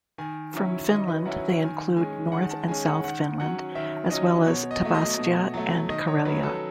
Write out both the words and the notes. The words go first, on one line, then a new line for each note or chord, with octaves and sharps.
From Finland they include North and South Finland, as well as Tavastia and Karelia.
D#3 G#5
F#3 C#4 E4
D#3 D#5
B4
F#3 C#4 E4 F#5
D#3 G#5
G#3 C#4 G#5
D#3 F#5
A5
G#3 C#4 G#5
F#5
D#3 F#5
F#3 C#4 F#5
D#3 E5
F#3 C#4 D#5
B2 C#5
D#5
F#3 A3
D#5
B2
F#3 A3
D#3 D#5
C#5
F#3 C#4 B4
A4